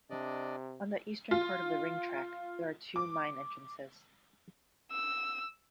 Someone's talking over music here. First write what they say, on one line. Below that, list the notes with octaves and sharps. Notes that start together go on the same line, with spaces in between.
On the eastern part of the Ring Track there are two mine entrances.
C3 D4 D5 D#5
F4
D6
E6